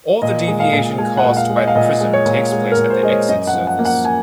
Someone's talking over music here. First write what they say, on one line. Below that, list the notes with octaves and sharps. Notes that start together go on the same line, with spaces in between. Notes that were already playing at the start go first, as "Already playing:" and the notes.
All the deviation caused by the prism takes place at the exit surface.
A#2 D#5
G#3
F5
A#2
G#3 G#5
F#5
A#2
F5
G#3
D#5
F5
A#2 D#5
G#3
C#5
A#2
G#3
A#4
A#2
C5
G#3 D#5
C#5
F#2 D#5
F#5
F3
F#5
A#3
F#5
G#5